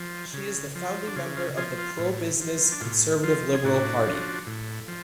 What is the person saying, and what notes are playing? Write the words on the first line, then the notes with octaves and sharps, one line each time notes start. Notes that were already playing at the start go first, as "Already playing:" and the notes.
She is the founding member of the pro-business conservative Liberal Party.
Already playing: F3
C#3
F3
D4
C#3 F4
F4
F3 F4 G#4
F4
A2
F3
D4
A2 F4
F3 F4
G#4
A2 D4 F#4
F3
A2
F3